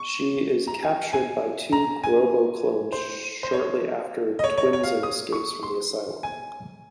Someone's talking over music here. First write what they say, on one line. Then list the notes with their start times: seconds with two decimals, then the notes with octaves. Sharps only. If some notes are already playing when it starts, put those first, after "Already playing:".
She is captured by two Grobo clones shortly after Twinsen escapes from the asylum.
Already playing: C#6
0.67 A#5
0.83 G#5
1.13 G#5
1.72 A#5
2.04 G#5
2.92 C5
3.43 C5
3.53 C#5
4.39 D#5
4.44 C#5
4.58 C#5
4.73 C#5
4.83 F5
5.03 D#6
5.33 C#6
5.63 C6
6.23 G#5